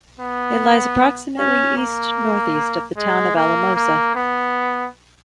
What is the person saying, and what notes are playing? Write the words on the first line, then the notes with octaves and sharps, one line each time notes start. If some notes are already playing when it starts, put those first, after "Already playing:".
It lies approximately east-northeast of the town of Alamosa.
B3
C#4
A#3
G#3
A#3
A#3
B3